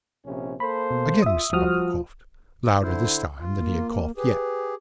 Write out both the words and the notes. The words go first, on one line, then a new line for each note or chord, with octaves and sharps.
Again Mr. Bumble coughed--louder this time than he had coughed yet.
A#1 C3 C#4
A#3 A4 C5 B5
B2
F4 E5 D#6
F3 G3 F#4 D#6 F6
D3 E4 C5
F4
A#3
G4 G#4 B4